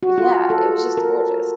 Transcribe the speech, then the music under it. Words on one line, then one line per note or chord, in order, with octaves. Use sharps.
yeah, it was just gorgeous.
F#4
F4
A4
A#4